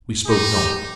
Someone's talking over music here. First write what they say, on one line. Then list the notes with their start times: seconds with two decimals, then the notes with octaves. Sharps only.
We spoke not.
0.25 G#4
0.28 D#4 G4
0.57 G4